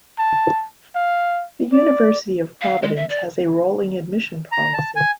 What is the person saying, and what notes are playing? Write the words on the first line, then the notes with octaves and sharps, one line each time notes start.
The University of Providence has a rolling admission policy.
A5
F5
D5
F5
G#3
E5
D5
A#5
A5
G#5